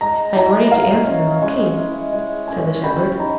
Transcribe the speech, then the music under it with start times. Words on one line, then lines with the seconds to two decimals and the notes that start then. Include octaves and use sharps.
"I am ready to answer them, O king!" said the shepherd.
0.01 G#3 A#5
0.36 E4 A#5
0.71 G#3 F5
1.07 C#4
1.42 G#3
1.77 E4
2.12 G#3
2.48 C#4 G#5
2.83 G4 B5
3.19 D#4 A#5